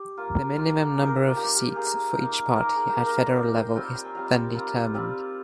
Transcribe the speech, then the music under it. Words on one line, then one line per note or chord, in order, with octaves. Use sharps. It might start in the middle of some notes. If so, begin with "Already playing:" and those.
The minimum number of seats for each party at federal level is then determined.
Already playing: G4
A#3 F4
A#3 D#4 F4
G4
A#3 D#4 G#4
A#4
G4
F4
A#3 D#4 G4
G4
A#3 D#4 G#4
A#3 D#4
A#3 D#4 A#4
G#4
G4
A#3 D#4 G#4
A#4
C5
D5
A#3 D#4 F5
F5 G5
G3 C4 F4 G5
F5
G5
G#5
G3 C4 F4 F5
F5
G5
G3 C4 F4 A#5
G3 C4 F4